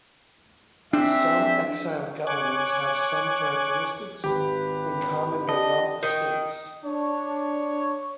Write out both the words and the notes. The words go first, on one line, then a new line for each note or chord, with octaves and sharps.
Some exiled governments have some characteristics in common with rump states.
C4 D4 G#4 E5
C#5 G#5 D6 F#6
G#1 G4 B4 B5
G4 D5 D#5 A5
D#3
D4 C#5